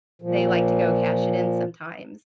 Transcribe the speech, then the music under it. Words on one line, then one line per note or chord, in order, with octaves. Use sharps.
they like to go cash it in sometimes,
A#2 F3